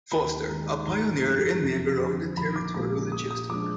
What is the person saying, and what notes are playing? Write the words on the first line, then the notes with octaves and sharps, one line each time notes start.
Foster, a pioneer and member of the Territorial legislature.
D#2 B5
D#3 G#3 A#5
G#1 A#5
F#2 F3
F2
D3 F3
A#1 B5
D6
A#2 G#3 D6
A#2 D#6
D#6
F3 G#3 D4 D6